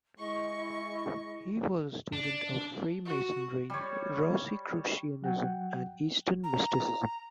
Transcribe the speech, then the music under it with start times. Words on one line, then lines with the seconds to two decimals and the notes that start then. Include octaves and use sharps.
He was a student of Freemasonry, Rosicrucianism, and Eastern mysticism.
0.19 G#3 E4 D#5 C#6
2.13 D4
3.06 F#4
3.70 G3 C#5
5.22 F#3 F#5 G5
6.44 A#5